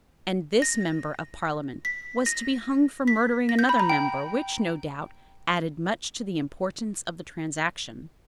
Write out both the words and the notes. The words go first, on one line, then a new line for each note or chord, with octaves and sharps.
And this Member of Parliament was to be hung for murdering another member, which, no doubt, added much to the importance of the transaction.
A#6
B6
A#6
B6
A#6
G6
B5
A#5
G5